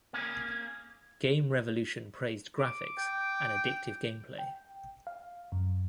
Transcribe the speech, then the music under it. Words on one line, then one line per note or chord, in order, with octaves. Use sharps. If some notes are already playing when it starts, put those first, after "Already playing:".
Game Revolution praised graphics and addictive gameplay.
A#3 C#4 G#4
D6
G5
G5
F5
F#2